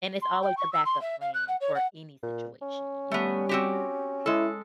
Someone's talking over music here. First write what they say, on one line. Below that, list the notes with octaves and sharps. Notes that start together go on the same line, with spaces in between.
And it's always a backup plan for any situation, you know?
C6
G5
C#6
E6
C6
E5
F5
F#6
F#5
C#5
F#5
A#2
C#4
G3 A3 B3
C4 F#4 G4
G#3 E4 A4